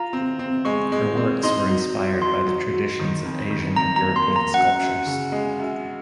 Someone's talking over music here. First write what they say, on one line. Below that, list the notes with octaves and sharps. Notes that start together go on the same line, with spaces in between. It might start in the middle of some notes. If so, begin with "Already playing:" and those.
Her works were inspired by the traditions of Asian and European sculptures.
Already playing: F4 A#5
C4
C4
G#3 C#6
G#3
C4
D#4 C6
F#3
F#3
F#3 C6
F#3
F#3
D#3
F2
D#3
F2 A#5
A#5
A#3
C6
A#3
A#5
F#2 F#5
F#2
C#3
G#3
F#2